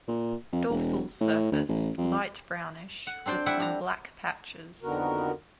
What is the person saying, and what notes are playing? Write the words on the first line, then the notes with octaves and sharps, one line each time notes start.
Dorsal surface light brownish with some black patches.
A#2
F2
E1
A2
D2
A1
F2
F#5
C4 D4 C5 D5 G5
G3 E4 G4 E5 F#5
D4 A#5
F2 D3 D#3 B3 F#4 A#4